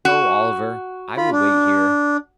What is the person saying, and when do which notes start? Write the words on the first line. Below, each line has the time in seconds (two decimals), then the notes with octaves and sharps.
"Go, Oliver; I will wait here."
0.05 F#4
1.17 F4 B5
1.32 D4